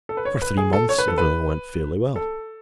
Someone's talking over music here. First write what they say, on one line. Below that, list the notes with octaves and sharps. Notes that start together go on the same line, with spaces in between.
For three months everything went fairly well.
A4
B4
C#5
B4
G#4
A4
C#5
B4
A4
B4
A4